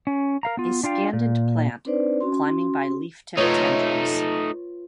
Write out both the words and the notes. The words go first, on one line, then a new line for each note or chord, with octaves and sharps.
A scandent plant, climbing by leaftip tendrils.
C#4
A#4 F5 A#5
B3 F4
D4 F4 F5 G5
A#2
C4 D4 D#4 B4 C5 D5
C#4 F#4 C6
A3 D#4 F4 B4 C#5